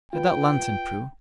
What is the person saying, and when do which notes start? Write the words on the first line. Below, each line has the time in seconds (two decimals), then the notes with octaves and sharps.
Get that lantern, Prue.
0.13 F4 B4 G5